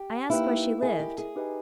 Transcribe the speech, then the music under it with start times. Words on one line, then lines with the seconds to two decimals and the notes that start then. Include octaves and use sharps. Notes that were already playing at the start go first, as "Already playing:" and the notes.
I asked where she lived.
Already playing: G4
0.29 A#3 D#4 E4 G4 B4 G5
0.82 E4 G#4 A#4 D#5 G#5
1.00 G4
1.18 G#4
1.36 D#4 G4 B4 D#5 G#5